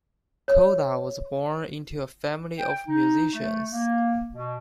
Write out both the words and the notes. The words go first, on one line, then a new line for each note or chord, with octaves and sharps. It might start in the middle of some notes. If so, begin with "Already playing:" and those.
Koda was born into a family of musicians.
C#5
G5
D#4
A3
A#3
B2